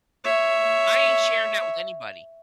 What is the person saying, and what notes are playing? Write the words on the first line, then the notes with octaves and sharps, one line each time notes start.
I ain't sharing that with anybody.
C#5 E5